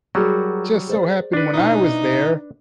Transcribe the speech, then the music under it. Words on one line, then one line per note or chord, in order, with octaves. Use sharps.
just so happened when I was there,
F#3 G3 F#4 G#4 A#4
G#4 C5 D5
D4 B4
B2 C4 D#4 E4